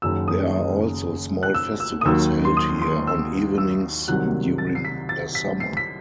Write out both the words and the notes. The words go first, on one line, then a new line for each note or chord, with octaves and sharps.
There are also small festivals held here on evenings during the summer.
F#1 F#2 D#3 F#3 E6
D#6
F#6
E6
E6
D#6
D#2 D#3 F#3 E6
C6
D#6
C6
E6
E6
C2 C3 D#3 F#3 F#6
A6
C7
B6
A6
B6
C7
B6